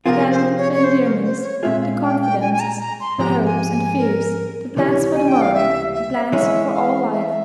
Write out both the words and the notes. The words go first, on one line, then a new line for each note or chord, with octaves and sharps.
And then the endearments, the confidences, the hopes and fears, the plans for the morrow, the plans for all life.
C3 F3 C4 F4 G#4 A#4
C5
C#5
C#5
C5
A#4
C5
C#5
A#2 G#3 C4 F4 G#4 E5
F5
G5
G5
G#5
G#5
A#5
A#5
C6
G#2 F3 G#3 C4 G4 A#5
G#5
G#5
A#4
C#2 C3 E3 G3 C#4 C#5
G#5
G5
F5
E5
E5
E3 G#3 C#4 E5
F5
E5